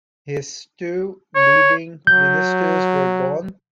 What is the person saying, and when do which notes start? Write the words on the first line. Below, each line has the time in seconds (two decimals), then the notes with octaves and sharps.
His two leading ministers were gone.
1.35 C#5
2.07 F#3 G6